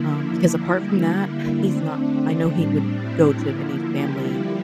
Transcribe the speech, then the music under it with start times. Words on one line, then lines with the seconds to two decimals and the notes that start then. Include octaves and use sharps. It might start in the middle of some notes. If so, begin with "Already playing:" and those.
Um, because apart from that, he's not, I know he wouldn't go to any family
Already playing: D3 F3 A#3 E4
0.71 D3 G3 A#3
1.62 D3 A3 C4 D4
2.09 D4
2.55 A2 G3 C4
3.00 E4
3.47 D3 F3 A#3
3.91 G3 G4